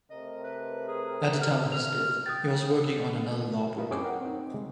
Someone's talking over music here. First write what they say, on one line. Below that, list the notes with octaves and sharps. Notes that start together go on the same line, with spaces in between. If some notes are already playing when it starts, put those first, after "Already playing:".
At the time of his death he was working on another law book.
C3 A3 A#4 D#5
B4
G#4
F6
F6 F7
G5 D#6 F#6 A6
A#3 E4 F4 A#4 B4 D#5
F#2 C4 C#4 G#4 G5 D6
A#4 F#5
C4 D#4
C3 G3 G#3